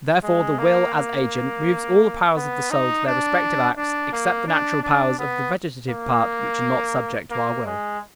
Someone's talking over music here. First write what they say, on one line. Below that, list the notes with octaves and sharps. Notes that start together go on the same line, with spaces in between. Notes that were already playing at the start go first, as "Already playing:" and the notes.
Therefore the will as agent moves all the powers of the soul to their respective acts, except the natural powers of the vegetative part, which are not subject to our will.
G#3
A#3
A#3
B3
D#4
D4
D4
A#3
D4
D4
B3
A#3
A#3
G#3